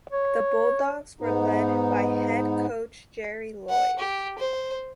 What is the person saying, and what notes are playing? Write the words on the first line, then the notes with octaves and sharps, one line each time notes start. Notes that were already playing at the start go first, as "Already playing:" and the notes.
The Bulldogs were led by head coach Jerry Loyd.
C#5
G#2 B3 D#4
F#5
G4
C5